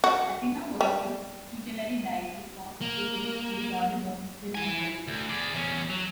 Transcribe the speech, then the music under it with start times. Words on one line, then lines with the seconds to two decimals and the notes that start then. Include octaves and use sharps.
Athena was the tutelary deity of Athens and the goddess of wisdom and warriors.
0.04 F#4
0.81 G3
2.81 A#3
4.55 E4 G#5
5.07 D2
5.29 G#4 D5
5.54 E2 C#4
5.90 F#3